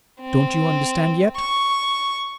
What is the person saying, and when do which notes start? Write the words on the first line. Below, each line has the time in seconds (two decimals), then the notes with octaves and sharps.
"Don't you understand yet?"
0.22 C4
1.37 C#6